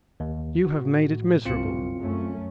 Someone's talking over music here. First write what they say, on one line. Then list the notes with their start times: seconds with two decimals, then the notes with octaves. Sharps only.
You have made it miserable.
0.20 D#2
0.65 A2 F#4
1.45 G1 C2 F#2 C4 F4 C#7
1.99 F#2 A3 C#4